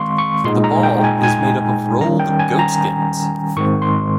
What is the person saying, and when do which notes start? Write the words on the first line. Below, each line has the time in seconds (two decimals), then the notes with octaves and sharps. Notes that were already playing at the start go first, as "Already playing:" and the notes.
The ball is made up of rolled goatskins.
Already playing: D#3 G#3 C4 F5 C6 C#6
0.18 C#6
0.44 A#2 G#3 D#4 C6
0.64 A#5
0.83 G5
1.04 G#5
1.23 G#5
2.00 D#3 G3 C#4 A#5
2.20 G5
2.39 G#5
2.59 A#5
3.57 G#2 D#3 G#3 C4 C#6
3.82 C6